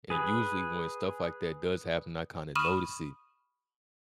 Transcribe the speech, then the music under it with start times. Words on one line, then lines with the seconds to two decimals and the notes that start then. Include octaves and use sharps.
and usually when stuff like that does happen, I kinda notice it.
0.10 G#4 B4
2.55 B5 C#6 D#6 F6 D#7 E7